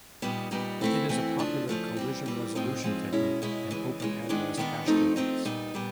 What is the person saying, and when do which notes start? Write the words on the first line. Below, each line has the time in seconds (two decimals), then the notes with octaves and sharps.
It is a popular collision-resolution technique in open-addressed hash tables.
0.22 A#2 G3 B3 D#4
0.51 A#2 G3 B3 D#4
0.81 E3 A3 C4 E4
1.09 E3 A3 C4 E4
1.39 C#3 F3 A3 D4
1.68 C#3 F3 A3 D4
1.97 E3 G3 C4
2.26 E3 G3 C4
2.55 A2 F3 G#3 C4 D#4
2.83 A2 F3 G#3 C4 D#4
3.12 B2 G#3 C#4 E4
3.42 B2 G#3 C#4 E4
3.71 C#3 E3 G#3
4.00 C#3 E3 G#3
4.29 D#3 G#3 B3 D4
4.57 D#3 G#3 B3 D4
4.86 F3 A3 C4 D#4
5.16 F3 A3 C4 D#4
5.45 A#2 G3 B3 D#4
5.74 A#2 G3 B3